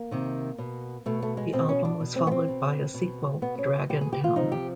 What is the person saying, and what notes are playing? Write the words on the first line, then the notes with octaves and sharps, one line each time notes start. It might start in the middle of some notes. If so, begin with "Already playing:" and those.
The album was followed by a sequel "Dragontown".
Already playing: A#3
C3 D#3
B2
B2 A3
A3
G#3
B2 C4
C#4
D4
B2
C4
B3
C4
B2
B2
B2 B3
C#4
B2 G4
G#4
G4
F4
C3 F3 D#4
G4